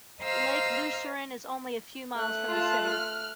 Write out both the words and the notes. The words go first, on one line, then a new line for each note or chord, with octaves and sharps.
Lake Lucerne is only a few miles from the city.
C5 D#5 F5 A#5 E6 F6
A3 F#6
F4 A5
F6